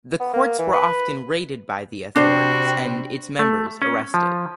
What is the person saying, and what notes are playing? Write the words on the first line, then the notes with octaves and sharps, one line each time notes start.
The courts were often raided by the authorities and its members arrested.
B3
A#3
E3
B4
C3 G3 C4 D4 F#4 C5
A3
C#4
F3